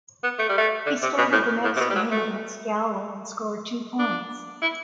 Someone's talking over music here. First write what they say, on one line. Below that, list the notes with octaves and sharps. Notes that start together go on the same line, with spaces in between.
He started the next game against Galway and scored two points.
B3
A3
G3
A3
D3
C3
B2
A2
A2
C3
B2
G3
F#3
A3
D4
E4